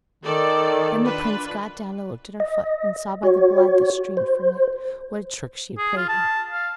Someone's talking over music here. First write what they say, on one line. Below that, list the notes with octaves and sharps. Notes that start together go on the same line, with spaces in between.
Then the prince got down and looked at her foot, and saw by the blood that streamed from it what a trick she had played him.
D#3 A4 D5
D4 F4 B4
D#5
F#4 C#5
C5
G#4
F4
A5
F5